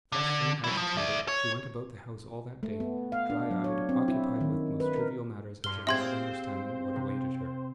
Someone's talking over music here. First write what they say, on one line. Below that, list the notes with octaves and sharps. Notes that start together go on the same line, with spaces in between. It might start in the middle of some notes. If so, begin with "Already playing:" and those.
Flushed and agitated she went about the house all that day, dry-eyed, occupied with most trivial matters as if not understanding what awaited her.
D3
F#3 E4
F3
D5 E5
C#5
A3
B3
F5
D4
F#3
C#5
C4
E4
D#3
B4
A#4
G2 C6 F6 G7
C4 G4 G#4 C5 E5 F5 C6 G#6
C3